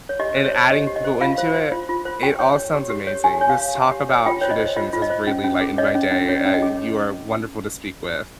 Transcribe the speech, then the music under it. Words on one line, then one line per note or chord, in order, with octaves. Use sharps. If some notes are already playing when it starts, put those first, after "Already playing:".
And adding people into it. It all sounds amazing. This talk about traditions has really lightened my day, uh, you are wonderful to speak with.
C#5
G4 D#5
C5
C#5
C5
G4 D#5
G4
D#5
C5
F4 F5
C5
C5
F4
F4
C5
G4 G5
C#5
C#5
G4
G4
C#5
G4 G#5
C#5
F5
C#5
G4
G4
C#5
F4 G5
C5 C#5
D#5
C5
F4 D#5
F4
D#5
C5
C#4
C#4
G#4
C#5 D#5
C#4
C#4
C#4 C#5
C#4
D#5
G#4